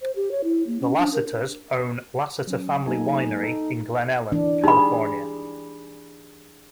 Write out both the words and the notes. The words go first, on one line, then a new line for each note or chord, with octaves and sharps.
The Lasseters own Lasseter Family Winery in Glen Ellen, California.
C5
G4
C#5
E4
A#3
C#4
D4
A#4
F#3 C#4
F#3 A#3 D#4 A4 G#5
D#4 A4
E3 D4
D#4 G4 G#4 B5